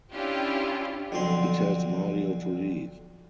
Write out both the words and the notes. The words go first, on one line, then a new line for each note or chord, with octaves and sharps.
He tells Mario to leave.
C#4 D4 E4 F4 G4
B1 F2 D3 C4 C6